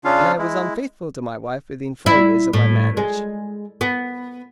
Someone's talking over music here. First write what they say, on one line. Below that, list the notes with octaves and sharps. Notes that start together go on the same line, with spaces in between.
And I was unfaithful to my wife within four years of my marriage.
C#3 C#4 D4 F4 F5
G#3 E4
E4
A2
G#3
B3